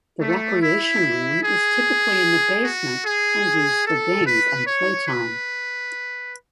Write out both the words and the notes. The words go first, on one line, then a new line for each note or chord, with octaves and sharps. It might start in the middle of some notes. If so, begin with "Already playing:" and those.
The recreation room is typically in the basement and used for games and playtime.
A3
E4
G#4
F#4
G#4
A4
B4
C#5
B4